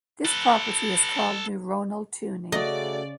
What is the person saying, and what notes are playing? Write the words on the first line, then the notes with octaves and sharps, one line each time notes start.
This property is called "neuronal tuning".
A4 B4
C#3 A3 F#4 D5 D#5